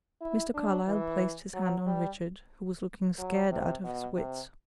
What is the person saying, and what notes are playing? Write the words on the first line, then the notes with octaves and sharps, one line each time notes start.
Mr. Carlyle placed his hand on Richard, who was looking scared out of his wits.
E4
D4
E3
F#3
G3
F#3
C3
B2
C3